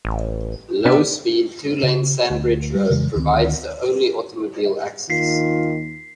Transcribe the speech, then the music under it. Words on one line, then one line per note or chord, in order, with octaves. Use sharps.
Low speed, two-lane Sandbridge Road provides the only automobile access.
A1
C3 B3 D4
C#3
D2
G3
F2 C#3 E3 G#3
D2 D#3 F3 C4
D#2 D#3 F4 B6 C7